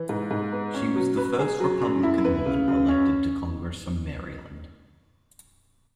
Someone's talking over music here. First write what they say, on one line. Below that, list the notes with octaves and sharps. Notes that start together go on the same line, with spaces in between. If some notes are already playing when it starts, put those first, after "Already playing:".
She was the first Republican woman elected to Congress from Maryland.
Already playing: E3
G#2
G#2
B3
C#4
F#3
B4
G#4
F#3
F#2
E4
B3
C#3
F#2
C#4